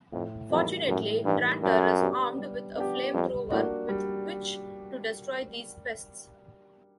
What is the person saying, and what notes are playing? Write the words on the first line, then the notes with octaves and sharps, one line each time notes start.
Fortunately, Trantor is armed with a flamethrower with which to destroy these pests.
F2 A2
F2 E3 G3 A#3 D#4
F#2 A2
G2 E3 G3 A#3 D#4
F#2 G3
B3 D4 G4
G3
B3 D4 G4
F2 G3
A2 A#3 D4 F#4
G3